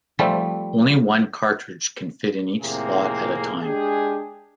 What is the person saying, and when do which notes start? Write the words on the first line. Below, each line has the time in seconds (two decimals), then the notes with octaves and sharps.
Only one cartridge can fit in each slot at a time.
0.19 F3 G3 A3 C4
2.61 F2 A2 C3 A#3 G#4
3.63 G#3 D4 G4 G#4